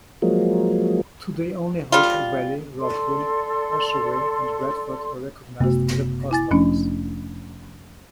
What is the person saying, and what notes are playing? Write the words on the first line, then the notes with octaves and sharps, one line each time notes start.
Today only Hope Valley, Rockville, Ashaway, and Bradford are recognized with a post office.
F3 F#3 G#3 A#3
G3 F4
A4 D5 C6
F#1 C3 A3 B3 F#4
E4 G#5 A6
F1 F3 A3 C#4 D4